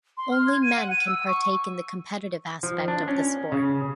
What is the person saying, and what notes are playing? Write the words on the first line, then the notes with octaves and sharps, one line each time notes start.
Only men can partake in the competitive aspect of the sport.
C6
F6
G#6
D#7
F#5
D#7
E6
C#6
F3
D4
C#4
C#3